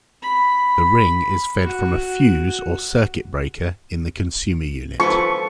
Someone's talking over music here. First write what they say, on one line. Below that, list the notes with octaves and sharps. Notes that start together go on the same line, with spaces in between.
The ring is fed from a fuse or circuit breaker in the consumer unit.
B5
F#4
F3 A4 B4 C#6